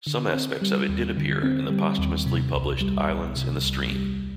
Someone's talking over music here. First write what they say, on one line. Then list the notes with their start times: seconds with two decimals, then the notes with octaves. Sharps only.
Some aspects of it did appear in the posthumously published "Islands in the Stream".
0.07 D3
0.34 C4
0.62 G3
0.89 D#2
1.17 D3
1.43 C4
1.71 G3
1.99 D#2
2.26 C3
2.53 C2
2.81 G3
3.09 C2
3.36 C3
3.64 C2
3.91 G3